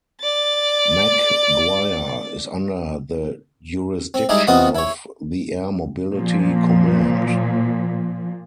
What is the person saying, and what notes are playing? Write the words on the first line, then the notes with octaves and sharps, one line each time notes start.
McGuire is under the jurisdiction of the Air Mobility Command.
D5 A6
C4
G3 G#3 D#4 E4 G4 G#4
C3 B3 C4 F4 F#4 D#5
E4 C#5
A#2 F3